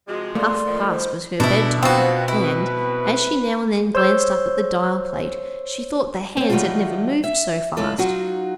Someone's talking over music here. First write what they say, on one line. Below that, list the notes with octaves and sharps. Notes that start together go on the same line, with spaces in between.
Half-past was her bedtime; and, as she now and then glanced up at the dial-plate, she thought the hands had never moved so fast.
C3 F3 G#3 F#4
A3 A#3 D5 C6
D#3 F3
C5
B2 G#3 D4 E4
B3 C4 F4 F#4
E4 B4
C5 C#5 E6 G6
C4 C#4
D#3 F#3 G3 A3 E4 F4
E5
C#3 G#3 E4 F4 A4
F#3 D#4 F4 F#4